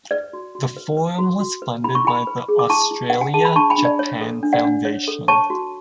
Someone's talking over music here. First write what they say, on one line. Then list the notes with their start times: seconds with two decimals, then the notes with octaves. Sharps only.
The forum was funded by the Australia Japan Foundation.
0.11 B4 D5
0.33 F#4
0.55 F#4
0.77 B4
0.97 B4
1.18 F#4
1.40 F#4
1.62 B4
1.84 E4 B5
1.95 C#6
2.05 E4 G#5 B5
2.27 B4
2.49 G#4
2.59 D6
2.70 E4 A5 C#6
2.91 E4
3.10 B4 F#5
3.21 G#5
3.34 G#4 A5
3.45 B5
3.56 D4 A5 C#6
3.70 G#5 B5
3.78 D4
3.85 D5
3.99 C#5
4.21 A4
4.43 D4
4.53 D5 F#5
4.65 D4
4.85 C#5
5.08 A4
5.28 C#5 A5 C#6
5.50 F#4